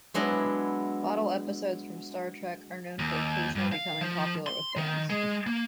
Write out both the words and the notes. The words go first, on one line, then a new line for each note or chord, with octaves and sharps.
Bottle episodes from "Star Trek" are known for occasionally becoming popular with fans.
F#3 G#3 B3 D4 E4
D#2
G2
F5
F3
C6
D#3
G#3
A#3